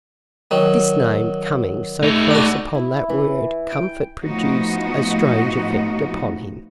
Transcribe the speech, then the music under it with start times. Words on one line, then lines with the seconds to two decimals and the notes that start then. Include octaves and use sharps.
This name coming so close upon that word comfort produced a strange effect upon him.
0.51 D#3 F#3
2.03 A3 D#4
2.31 D4 F#4
2.75 E4
3.09 E3
3.72 G5
4.22 A2 F3 B3 D#4 F#4 D#5